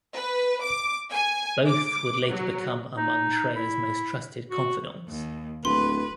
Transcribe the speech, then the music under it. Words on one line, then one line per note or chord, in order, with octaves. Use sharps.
Both would later become among Schreyer's most trusted confidants.
B4
D6
G#5
D6
F#3
D#4
E4
F#4
D#2
D1 B4 C6